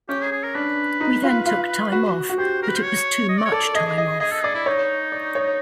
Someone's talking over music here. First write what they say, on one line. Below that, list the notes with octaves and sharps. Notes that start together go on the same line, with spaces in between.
We then took time off, but it was too much time off.
C#4 G4
G#4
G#4
A#4
D4 B4
D#4
F4
F4
F#4
F#4
G4 C5
A#4
B4
C5
C#5
D#5
D5
C#5
A4 D5
G#4 D#5
D#5
G#4 D#5
A4
G#4 D5
E4
D#4 C#5
D5
C#5